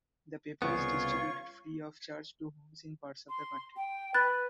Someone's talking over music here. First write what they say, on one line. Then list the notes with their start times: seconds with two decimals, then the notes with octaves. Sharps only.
The paper is distributed free of charge to homes in parts of the country.
0.62 C2 C#3 B3 F4 C#5 C#6
3.29 C6
3.77 G5
4.14 B4 B5 F#6 A6